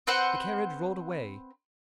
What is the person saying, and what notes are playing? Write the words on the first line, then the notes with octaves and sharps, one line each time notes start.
The carriage rolled away.
C4 B4 C5 F#5